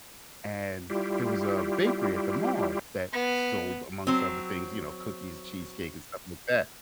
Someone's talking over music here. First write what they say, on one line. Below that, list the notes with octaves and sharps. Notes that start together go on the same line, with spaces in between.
and there was a bakery at the mall that sold amongst other things, you know, cookies, cheesecake, and stuff like that
G3 E4 F4 G4
B3
F#3 C4